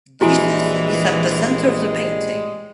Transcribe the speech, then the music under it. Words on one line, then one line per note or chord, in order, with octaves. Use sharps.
Jesus is at the center of the painting.
A#1 E3 G3 G#3 E4 F#4 G#5